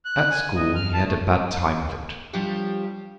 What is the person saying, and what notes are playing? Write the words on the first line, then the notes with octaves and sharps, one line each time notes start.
At school he had a bad time of it.
F#6
G#5
D#5
F6
A5
A3
F3 G3 D4 G4 C#5